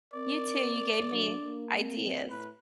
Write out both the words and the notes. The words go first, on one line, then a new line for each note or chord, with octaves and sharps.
You too. You gave me ideas.
C4 A#4 D5
F#3 D4
A#3
C4
A2 B4